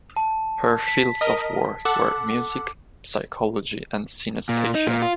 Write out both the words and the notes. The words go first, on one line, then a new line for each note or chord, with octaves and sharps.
Her fields of work were music psychology and synaesthesia.
A5
B6
A#4 D#5
A4 F#5 D6
A#2
D#4
A#2
F4